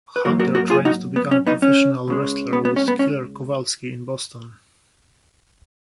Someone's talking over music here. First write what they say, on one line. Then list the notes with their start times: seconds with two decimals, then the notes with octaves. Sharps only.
Hunter trained to become a professional wrestler with Killer Kowalski in Boston.
0.16 B4
0.25 G#2 F#3 A#3 F#4 A#4
0.40 F#4 A#4
0.55 F#4 A#4
0.70 F4 G#4
0.85 D#4 F#4
1.16 B3
1.31 C#4
1.47 B3 D#4
1.62 C#4
2.08 C#2 C#3 G#3
2.53 B3
2.65 B3
2.76 C#4
2.88 B3
2.99 C#4